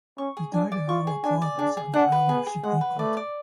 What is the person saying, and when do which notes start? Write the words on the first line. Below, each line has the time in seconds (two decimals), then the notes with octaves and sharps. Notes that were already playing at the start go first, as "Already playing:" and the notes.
He died in Awa province, on the island of Shikoku.
0.18 C#4 C#6
0.37 G#4
0.53 D4 G#5
0.72 D5
0.88 F4 C#6
1.07 G#4
1.24 D4 G#5
1.42 D5
1.59 D4 G#4
1.77 G#4
1.94 D4 F#5
2.12 B4
2.28 B3 G#4
2.47 G#4
2.63 G#3 F#5
2.81 B4
2.98 A3 D5
3.17 D5